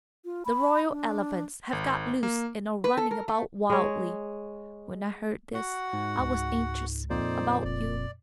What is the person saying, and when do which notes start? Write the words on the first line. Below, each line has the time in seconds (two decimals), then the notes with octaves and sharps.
The royal elephants have got loose and are running about wildly. When I heard this I was anxious about you.
0.25 F4
0.45 B5
0.91 D4
1.73 G#1
2.23 A#3
2.84 B4
2.97 A4
3.11 A#4
3.28 A3
3.70 G#3 C#5
5.54 F#4 F#5
5.93 G#2
6.19 C#2
7.10 F2 A#2 D#4 C5 D5
7.65 D#1 D5